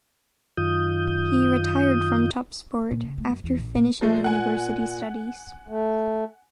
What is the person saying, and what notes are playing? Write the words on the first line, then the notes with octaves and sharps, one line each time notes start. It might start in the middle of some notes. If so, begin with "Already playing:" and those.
He retired from top sport after finishing university studies.
F#2 D#3 F4 D#6 G6
A#2
C#3
A3
F#2
E2
A#1
A#2
A#2 F3 G#3 A3
F#5 G#5
A3